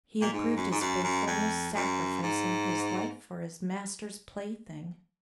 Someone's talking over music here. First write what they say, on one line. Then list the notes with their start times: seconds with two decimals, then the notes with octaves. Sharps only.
He had proved his faithfulness, sacrificing his life for his master's play-thing.
0.21 A#2
0.33 G#2
0.57 F#2
0.72 G#2
0.81 F#2
1.04 F#2
1.27 F2
1.75 F#2
2.23 G#2